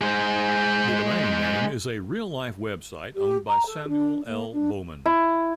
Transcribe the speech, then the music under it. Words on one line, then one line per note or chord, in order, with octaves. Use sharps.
The domain name is a real-life website owned by Samuel L. Bowman.
G#3 C5
G4
A#5
A4
D4
A#3
D4
E4